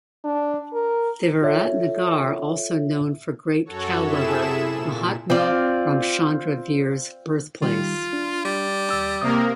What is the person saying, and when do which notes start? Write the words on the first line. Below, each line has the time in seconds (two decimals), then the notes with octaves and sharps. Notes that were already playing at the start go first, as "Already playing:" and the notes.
The Virat Nagar also known for Great cow lover Mahatma Ramchandra Veer's birthplace.
0.25 D4
0.74 A#4
1.42 F4 A4 C#5 E5
3.65 F#2 F#4 A4 C#5
4.02 C3 E4 G#4 A4 E5 E7
4.72 A#2
5.30 C4 F4 D5
7.62 D#3 G3 F4
8.13 D4
8.45 G3
8.90 D#2 E6
9.22 C3 A#3 A#4 D#6